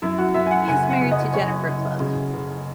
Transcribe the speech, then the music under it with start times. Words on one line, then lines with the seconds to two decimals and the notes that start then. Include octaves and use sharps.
He is married to Jennifer Klug.
0.02 F#2 E4
0.18 F#4
0.34 F#2 E5
0.46 G#5
0.51 F#5
0.68 F#1 G#5
0.90 F#5
1.01 F#1
1.11 D#5
1.33 F#1 C#5
1.68 F#1
2.00 C#3
2.34 F#1